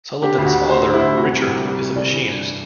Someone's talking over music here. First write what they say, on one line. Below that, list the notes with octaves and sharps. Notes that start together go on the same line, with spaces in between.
Sulivan's father, Richard, is a machinist.
D3 G4
D2
F#4
D2
A3 C5
D3
E4
D2
C3 F#4
C2
G4
C2
G3
C3
C2 D5
E3
G2